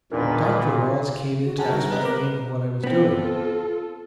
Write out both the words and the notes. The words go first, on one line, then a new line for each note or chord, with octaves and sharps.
Doctor Laws came in to ask my name and what I was doing.
E1 A#2 D3 D#3 B3 D4 A#4
G4 C6
F#4
F#2 G#4 F#5 A5
D3 G3 D#4 A#4
G3 B3 G4 D#5
A#5 D6
B3 C4 F4 A4